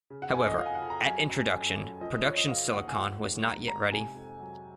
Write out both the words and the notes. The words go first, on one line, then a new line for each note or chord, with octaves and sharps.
However, at introduction, production silicon was not yet ready.
C#3
F#5
F2 G#5
D#5
F3 F5
G#5
F#5
F2
A#5
F#3 G#5
F#2
F#3
F#2
F3 D#5
D#5
F3 C#5
D#5
C#3 F5
D#2 F#5
G#5
F3 F#5
G#2
G#2 A#5
G#2 A#5
C3 G#5
F2
F#3